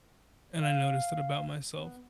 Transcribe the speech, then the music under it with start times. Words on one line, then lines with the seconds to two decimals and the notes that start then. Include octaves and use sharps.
and I noticed that about myself.
0.62 F5
1.74 B3